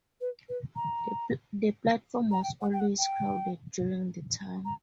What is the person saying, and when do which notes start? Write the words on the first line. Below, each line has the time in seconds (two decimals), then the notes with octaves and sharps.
The platform was always crowded during the time.
0.21 B4
0.49 B4
0.76 A#5
2.31 A#5
2.43 G5
2.61 F#5
2.73 G5
2.80 F#5
2.98 G5
4.65 A#5